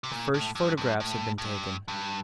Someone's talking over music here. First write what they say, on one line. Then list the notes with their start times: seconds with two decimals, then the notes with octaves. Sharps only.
The first photographs had been taken.
0.04 C3
0.11 A#2
0.34 A2
0.55 G2
0.77 G2
1.00 A2
1.38 A2
1.44 G2
1.88 G2